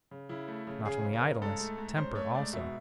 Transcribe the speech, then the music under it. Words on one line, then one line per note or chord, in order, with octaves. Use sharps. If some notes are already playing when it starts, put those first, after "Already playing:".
Not only idleness, temper also.
C#3
C#3 E4
A3
C#3
C#3 G#4
C#3
A#4
C#3
G#2 A4
A3
G#2
C#4 C5
A3 C#5
G#2 D5
B2 E5